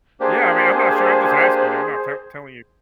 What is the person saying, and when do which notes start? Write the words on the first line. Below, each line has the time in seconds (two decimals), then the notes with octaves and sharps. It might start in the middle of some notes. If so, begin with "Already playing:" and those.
Yeah, I mean, I'm not sure, I'm just asking, you know? I'm not tell telling you
0.20 A#3 D4 G4 G#4 C5